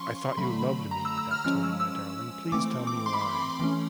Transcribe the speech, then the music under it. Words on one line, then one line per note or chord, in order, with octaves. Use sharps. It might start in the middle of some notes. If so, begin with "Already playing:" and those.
I thought you loved me that time, my darling, please tell me why.
Already playing: F3 C#4 C6 C#6
C6
D3 F#3 A3 B5
A#5
E6
E6
F6
F3 G#3 C#4 F6
E6
E6
E3 A3 C4 D6
D6
C6
B5
C6
E3 A3 C#4